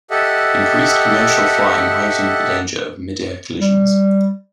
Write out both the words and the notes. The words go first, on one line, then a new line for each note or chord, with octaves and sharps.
Increased commercial flying heightened the danger of midair collisions.
G4 A4 D#5 E5 F#5
G3